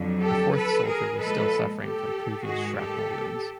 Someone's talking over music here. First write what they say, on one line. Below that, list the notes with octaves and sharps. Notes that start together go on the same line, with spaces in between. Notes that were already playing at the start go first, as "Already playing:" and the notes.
A fourth soldier was still suffering from previous shrapnel wounds.
Already playing: F2 D3 F#3
G4 A4
A4 B4
G#4 A#4
A#2 F3 G#3 A4 B4
G4 A4
G#2 D#3 G#3 F#4 G#4
G4 A4